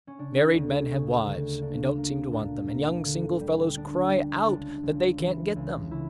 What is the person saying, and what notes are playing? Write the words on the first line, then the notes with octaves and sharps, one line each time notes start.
Married men have wives, and don't seem to want them; and young single fellows cry out that they can't get them.
C#4
C#3 D4
D2
C#3
D2
A#3 D4
A#3
A#2 D4
A#3
D3
G3
B3 D4
G3 D4
C#2 D4
C#2
E3
C#2
C#3 E4